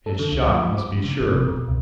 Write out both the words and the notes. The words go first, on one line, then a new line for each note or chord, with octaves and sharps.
His shot must be sure.
A4
D3
C#2
F3
B5
D6
G#2
C#3
G1
C3
B2
C#2